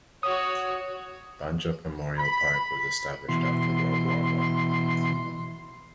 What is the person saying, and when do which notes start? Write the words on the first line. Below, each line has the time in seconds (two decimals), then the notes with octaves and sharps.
Banjup Memorial Park was established after World War One.
0.23 F#4 C#5 D#6
2.18 B5
3.29 B2 E3 C6